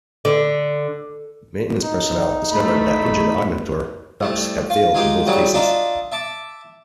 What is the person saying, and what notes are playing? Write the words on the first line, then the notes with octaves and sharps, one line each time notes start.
Maintenance personnel discovered that engine augmentor ducts had failed in both cases.
D3
D#4
E2 A3 B5
C2 A3
F4
G#3 D#4 F4 G4
C#3 E3 F#3 G3 D#4
D4 F4 D#5 E5 A#5
E5 A5 D6